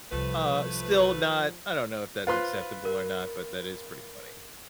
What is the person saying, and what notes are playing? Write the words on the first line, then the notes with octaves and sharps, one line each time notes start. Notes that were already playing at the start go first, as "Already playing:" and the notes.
Uh, still not I don't know if that's acceptable or not, but that is pretty funny.
C2 F3 A3 B4
F4 B4 C5 C6
A#4